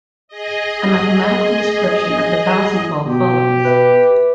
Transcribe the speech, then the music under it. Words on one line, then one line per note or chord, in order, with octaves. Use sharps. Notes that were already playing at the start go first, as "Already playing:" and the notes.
A mathematical description of the bouncing ball follows.
G#4 D#5
B2 G4
B4 E5